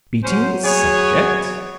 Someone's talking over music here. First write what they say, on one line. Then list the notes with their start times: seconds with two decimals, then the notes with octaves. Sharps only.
"Beating the subjects!"
0.24 F#3 C#4 C5
0.65 B3 F#4 G#4 C#5